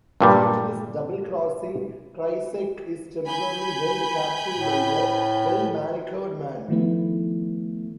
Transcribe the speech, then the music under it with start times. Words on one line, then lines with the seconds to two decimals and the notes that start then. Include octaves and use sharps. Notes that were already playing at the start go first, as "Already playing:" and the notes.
Due to this double-crossing, Krycek is temporarily held captive by the Well Manicured Man.
0.21 G2 A#2 G3
3.26 G#5 B5 G6
4.57 A2
6.69 D#3 F3 A3 B3 E4